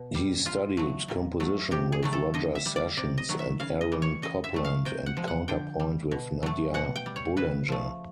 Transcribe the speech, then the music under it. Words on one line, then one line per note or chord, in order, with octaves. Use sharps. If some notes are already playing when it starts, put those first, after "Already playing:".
He studied composition with Roger Sessions and Aaron Copland and counterpoint with Nadia Boulanger.
Already playing: B2
G3
A#2 F4
F#3 A3
A#2
F#3 A3
C3 G4
G#4
D#3 F#3 A3
A4
D3 D#5
E5
G3
D5
C3 D5
D#5
D#3 F#3 A3
E5
C#3 F5
D#5
E3 G3
C#5
C#3 D#5
E5
F#3 A3
F5
C3 G5
F#5
F3 G#3
F#5
D3 G5
G3
B2
F#3 A3
B2 F#5
G5
G3
C#5
C#3 B4
F3 A3